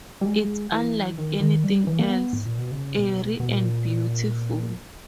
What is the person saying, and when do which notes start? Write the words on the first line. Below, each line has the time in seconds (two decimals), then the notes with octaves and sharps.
It's unlike anything else; eerie and beautiful.
0.21 G3
0.26 G#3
0.72 E3
1.18 D#3
1.41 D#3
1.64 G3
1.87 E3
1.99 A#3
2.10 B3
2.33 G#2
2.46 A#2
2.59 B2
2.71 C#3
2.97 A#2
3.02 B2
3.40 B2
3.48 A#2